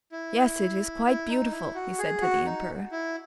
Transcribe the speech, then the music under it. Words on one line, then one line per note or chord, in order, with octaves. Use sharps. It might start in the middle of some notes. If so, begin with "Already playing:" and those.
'Yes, it is quite beautiful,' he said to the Emperor.
E4
E4
D#4
E4
F#4
G#4
F#4
D#4
E4